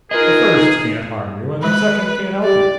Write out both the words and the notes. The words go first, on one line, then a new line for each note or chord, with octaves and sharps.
The first can't harm you and the second can't help you.
D#4 F4 G#4 A#4 B4 D#5
G#3 B4 B5
G4 D5